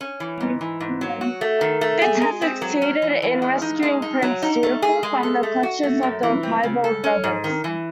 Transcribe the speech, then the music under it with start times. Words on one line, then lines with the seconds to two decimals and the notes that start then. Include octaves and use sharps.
Fitz has succeeded in rescuing Prince Dutiful from the clutches of the Piebald rebels.
0.01 C#4
0.20 E3
0.40 G#2
0.61 E3
0.80 G#2
1.01 F#3
1.21 F#4
1.41 A3
1.61 D#3
1.81 A3
2.02 G#4
2.22 G#3
2.42 C4
2.62 F#3
2.82 C#4
3.02 E3
3.22 E3
3.42 G#3
3.62 D#4
3.83 G#3
4.02 D#4
4.22 F#3
4.42 D#4
4.63 A3
4.82 G#4
5.03 G#3
5.23 A4
5.43 A3
5.63 F#4
5.83 A3
6.03 F#2
6.23 E3
6.43 C4
6.63 C#3
6.84 A4
7.04 C#4
7.24 G#2
7.44 D#3
7.64 E3